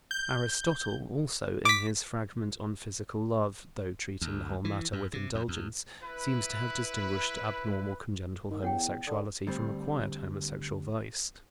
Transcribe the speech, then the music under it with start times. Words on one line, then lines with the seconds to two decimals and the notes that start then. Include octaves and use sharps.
Aristotle also, in his fragment on physical love, though treating the whole matter with indulgence, seems to have distinguished abnormal congenital homosexuality from acquired homosexual vice.
0.11 G6
1.65 D6 B6
4.21 D2
4.65 E3
4.93 F#2
5.13 C3
5.35 F2
5.48 E2
6.03 E4 B4
8.51 D#3
8.62 E2 C#5 F#5 G5
9.07 D3 D#6
9.47 D2 G3 C4